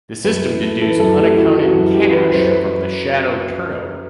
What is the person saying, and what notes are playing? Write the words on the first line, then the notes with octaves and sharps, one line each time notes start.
The system deduced unaccounted cash from the shadow turnover.
F#2 B4
E3
A3
E3 A4
B4
F#2 A4
A3 G4
E3 F#4
E3
F#4
F#2
E3 G4
E3 B4
F#2 C5
B4